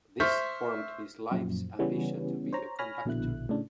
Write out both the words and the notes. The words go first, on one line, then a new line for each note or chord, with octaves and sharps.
This formed his life's ambition to be a conductor.
C5 E5 C#6 F6 G6 B6
F#2 A#2 F3
C#3 E3 G3 B3 C#4
C5 C#5 A#5
C#5 G#5 B5 F6 A#6
A#1 B2 D3 E4 F#6
A2 C#3 D4